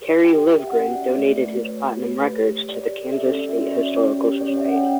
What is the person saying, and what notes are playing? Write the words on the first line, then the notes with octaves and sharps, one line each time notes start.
Kerry Livgren donated his platinum record to the Kansas State Historical Society.
G4 G5
G4
E5
F#5
C#4 E5
F#4 D5
A3 D5
F#4 B4
A3 C#5
G4
B4
A3
G4 C#5
G4
D5
G4
A4
E5
D5
C#4
E5
F#4
C#5
D5
C#4 C#5
C#4
G4
C#5
C#4 D5
E5
C#4 F#5
G5